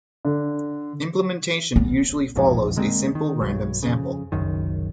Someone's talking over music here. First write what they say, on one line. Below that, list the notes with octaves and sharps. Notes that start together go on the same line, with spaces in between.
Implementation usually follows a simple random sample.
D3
B3
E1 A#1 F2 G#2
D3 G#3 A#3 C4
D#3
B1 G2 F#3
F2 C#3
F#1 C2 F#2 D#3